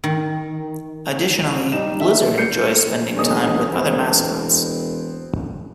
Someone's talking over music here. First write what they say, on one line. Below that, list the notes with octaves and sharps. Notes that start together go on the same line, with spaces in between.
Additionally, Blizzard enjoys spending time with other mascots.
D#3
G3 D#4 E7
E5
G6 C7 C#7
E1 C#4 D#4 D#6
E1 B3 C4